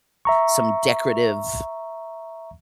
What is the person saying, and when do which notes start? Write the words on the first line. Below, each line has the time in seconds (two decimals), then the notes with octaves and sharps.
some decorative
0.25 E5 A#5 C#6